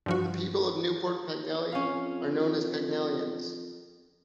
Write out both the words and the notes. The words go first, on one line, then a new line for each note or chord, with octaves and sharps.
The people of Newport Pagnell are known as Pagnellions.
G2 F3 F#4
F2 C#4 F5